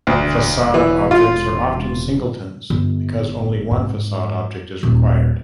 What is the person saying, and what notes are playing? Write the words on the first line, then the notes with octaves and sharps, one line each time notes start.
Facade objects are often Singletons because only one Facade object is required.
E1 D2
E3
F4
G1
G#2
D#1